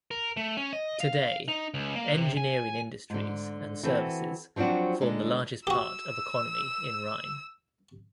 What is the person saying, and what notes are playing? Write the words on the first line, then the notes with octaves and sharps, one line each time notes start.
Today engineering industries and services form the largest part of economy in Rheine.
A#4
A3
C#4
D#5
F5
D#4
C#2
A#3
C3
G#5
G#2 D3
E3 C4 F#4 A4
F3 F#3 C4 D4 F#4
D3 G#3 D#4
F#4 G4 E6